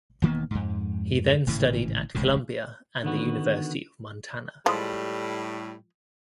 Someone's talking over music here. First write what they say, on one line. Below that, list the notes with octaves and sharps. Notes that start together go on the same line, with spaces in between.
He then studied at Columbia and the University of Montana.
E1 D#3 A#3 B3
F2 G#2
G#1 A2 C#3 E3
E1 C#2 A2 C#3
D3 D#3 B3 F#4
A2 F3 G3 G#3